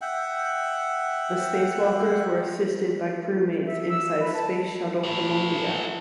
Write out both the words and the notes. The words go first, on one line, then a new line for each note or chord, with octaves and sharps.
The space walkers were assisted by crewmates inside Space Shuttle "Columbia".
E5 F#5 G5
E5
E6
B4
A5
A4 B4